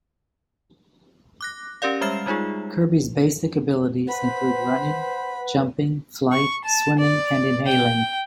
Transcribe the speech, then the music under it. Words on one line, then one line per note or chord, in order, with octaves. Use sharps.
Kirby's basic abilities include running, jumping, flight, swimming, and inhaling.
D6 F#6 A#6
C#4 G4 A#4 D5 F5
G3 G#3 E5 F6 C7 E7
G3 G#3 D#4 F4 G#4
B4 C5 F#5 B5
C#6
A5
D5
G5